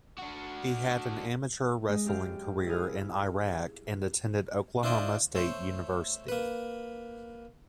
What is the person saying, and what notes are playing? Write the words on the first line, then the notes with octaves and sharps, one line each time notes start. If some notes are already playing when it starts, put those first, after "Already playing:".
He had an amateur wrestling career in Iraq and attended Oklahoma State University.
D4 F#4
G#3
F#2 G4 F5
E4 G#4 F5
D4 E4 F4 C5 D5 D#5
A3 C5 C#5
A#3 B4